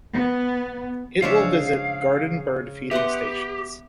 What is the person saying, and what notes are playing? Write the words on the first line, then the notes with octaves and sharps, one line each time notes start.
It will visit garden bird feeding stations.
B3
C#3 F3 G#3 D4 C#5 E5 F5
B3 G4 B4 E5 F#5 G5 C6